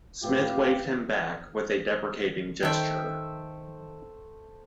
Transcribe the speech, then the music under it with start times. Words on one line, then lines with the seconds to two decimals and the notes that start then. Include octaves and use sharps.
Smith waved him back with a deprecating gesture.
0.23 A2 B3 F4 G4 F5
2.63 D#3 A3 C5 E5 G5